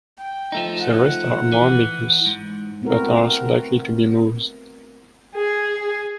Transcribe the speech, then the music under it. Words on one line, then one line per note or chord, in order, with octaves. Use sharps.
The rest are more ambiguous, but are also likely to be moose.
G5
F3 A3 D#4
F#5
E3
G#2
A3 B3 C4 E4 F#4 A#4
G#4